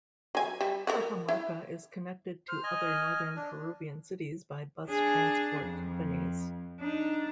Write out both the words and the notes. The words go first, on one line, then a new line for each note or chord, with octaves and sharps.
Cajamarca is connected to other northern Peruvian cities by bus transport companies.
F#3 G#5
G3
A4 A#4 F#5
E4
C5 F6
D#5 G#5
D4
D4 G#4
F2
D4 D#4